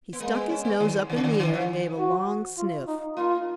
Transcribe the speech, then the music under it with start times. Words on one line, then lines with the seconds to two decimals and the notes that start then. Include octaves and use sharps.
He stuck his nose up in the air and gave a long sniff.
0.13 B3
0.20 G#3 A#3
0.35 B3
0.50 C#4
0.65 B3
0.80 D#3
1.10 D#3
1.16 C#3
1.24 D#3
1.40 D#3
1.54 F3
1.98 F#4
2.58 F4
2.87 D#4
3.17 A#3 F4